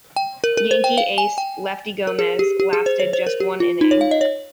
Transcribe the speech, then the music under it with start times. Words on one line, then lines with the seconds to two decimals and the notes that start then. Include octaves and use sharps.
Yankee ace Lefty Gomez lasted just one inning.
0.16 G5
0.44 A#4
0.57 A#4
0.71 C5
0.84 G5
0.98 F5
1.18 G#5
1.38 G5
2.07 A#4
2.19 G#4
2.39 G4
2.60 G4
2.73 G#4
2.86 C5
3.00 C#5
3.13 C5
3.27 A#4
3.40 G4
3.60 F4
3.81 D#4
3.91 C#5
4.01 F5
4.11 D#5
4.21 C#5